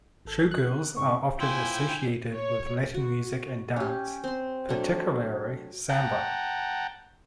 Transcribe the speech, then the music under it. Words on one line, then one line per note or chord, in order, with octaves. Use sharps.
Showgirls are often associated with Latin music and dance, particularly samba.
G#1 A4
F#6
G#2 C#3 C4 C#6
A2 E4 F4 C5 G5 G#5
C#5
F#4
C#4 G4
C4 C6
F#3 A3 D4
F#5 G5 A5 A#5